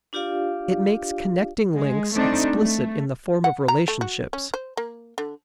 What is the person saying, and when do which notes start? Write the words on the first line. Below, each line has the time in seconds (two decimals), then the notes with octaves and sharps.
It makes connecting links explicit in the form of relationships.
0.13 D4 F4 G4 D5 F5
1.74 G#3
2.14 A3 C4 D4 D#4
2.52 A3
3.44 F#5
3.68 A#5
3.88 A3
4.01 F#4
4.33 C#4
4.54 C5
4.77 A#3
5.18 D3